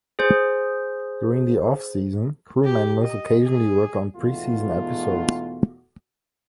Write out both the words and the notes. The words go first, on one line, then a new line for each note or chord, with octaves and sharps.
During the off-season, crew members occasionally work on pre-season episodes.
G#4 C5
G4
D#5
G#4
E2 G#2 B2 A3 F4 F#4